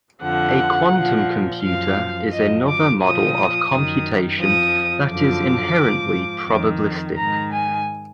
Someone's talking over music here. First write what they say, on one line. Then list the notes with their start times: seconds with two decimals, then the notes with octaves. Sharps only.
A quantum computer is another model of computation that is inherently probabilistic.
0.22 F2 D3 F3 F#5
0.92 A#2 F3
1.61 F#2 F3 F5
2.31 F#2 F3 D#5
2.66 D6
3.00 A#2 F3 D#6
3.69 F#2 D#3
4.39 F2 F3 D#6
5.08 F#2 D3 F3 D6
5.78 G#2 F3
6.47 F2 D#3
7.16 G#2 D#3 A#5
7.52 G#5